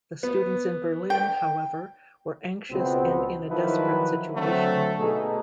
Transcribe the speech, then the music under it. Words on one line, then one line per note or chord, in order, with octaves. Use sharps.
The students in Berlin, however, were anxious and in a desperate situation.
B3
G5
C#2 B2 B3 C4
D#3 F3 F#3 E4 B4
D3 F#3 A3 C4 F#4
B2 A3 D#4 G#4 A4